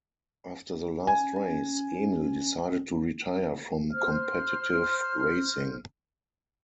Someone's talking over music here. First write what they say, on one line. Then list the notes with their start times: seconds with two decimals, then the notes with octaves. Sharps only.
After the last race Emil decided to retire from competitive racing.
1.07 C#4 G#5
3.92 C5 F6